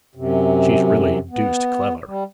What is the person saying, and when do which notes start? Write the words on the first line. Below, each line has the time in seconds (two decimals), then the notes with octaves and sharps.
She's really deuced clever.'
0.15 F#2 C3
1.31 B3
2.06 G3